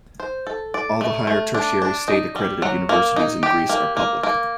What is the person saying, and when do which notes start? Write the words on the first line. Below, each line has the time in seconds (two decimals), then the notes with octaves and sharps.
All the higher Tertiary state-accredited universities in Greece are public.
0.20 C5
0.47 A4
0.74 D5
1.01 A3
1.27 A3
1.54 D4
1.82 D4
2.08 D#4
2.36 G3
2.62 F#3
2.89 A#3
3.16 D#4
3.43 G4
3.69 A#3
3.97 A#3
4.23 A#3